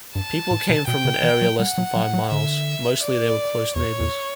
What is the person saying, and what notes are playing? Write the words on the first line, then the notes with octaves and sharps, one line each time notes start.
People came from an area less than five miles; mostly they were close neighbors.
G2 A5
A2
B2
B2 G5
C#3
E3
F#3
G3 F#5
F#3
F#3
F#3
D3 E5
D5
E2 C#5
E2